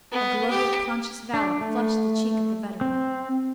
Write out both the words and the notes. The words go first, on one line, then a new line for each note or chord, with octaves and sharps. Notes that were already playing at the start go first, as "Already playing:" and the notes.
A glow of conscious valor flushed the cheek of the veteran.
B3
G4
D4
A3
C4